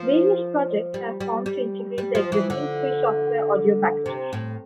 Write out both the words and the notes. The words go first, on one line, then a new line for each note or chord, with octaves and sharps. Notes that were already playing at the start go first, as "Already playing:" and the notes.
Various projects have formed to integrate the existing free software audio packages.
Already playing: F3
G3
G3
G3
G3
F3
E3
D3
C3
A2